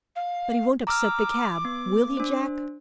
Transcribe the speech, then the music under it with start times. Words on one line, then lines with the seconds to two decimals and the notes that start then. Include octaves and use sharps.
"But he won't upset the cab, will he, Jack?"
0.15 F5
0.87 A#5 D6 E6 F6
1.65 B3
2.17 D4 C5